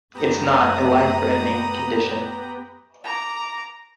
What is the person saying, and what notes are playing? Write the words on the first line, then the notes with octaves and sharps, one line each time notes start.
It is not a life-threatening condition.
F#2 A3 B3 G4 A#5 B5 D#6
A#5 D6